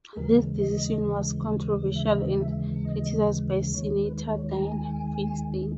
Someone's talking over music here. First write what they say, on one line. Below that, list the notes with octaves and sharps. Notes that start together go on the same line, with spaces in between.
This decision was controversial and criticized by Senator Dianne Feinstein.
G#4
D#2 C#3 E3 G#3 A#4
D#5
E5
D#5
E5
E5
D#5
D#2 D#3 G#3 C#5
B4
C#5
A#5
G#5